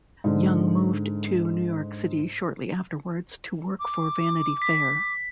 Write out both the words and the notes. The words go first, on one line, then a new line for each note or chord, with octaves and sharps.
Young moved to New York City shortly afterwards to work for "Vanity Fair".
G#2 D3 D4
D6
B6